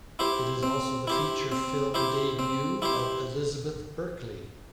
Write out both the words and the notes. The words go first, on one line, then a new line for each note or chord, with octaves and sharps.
It is also the feature film debut of Elizabeth Berkley.
E4 G4 C5
C4
E4 G4 C5
C4
E4 G4 C5
C4
E4 G4 C5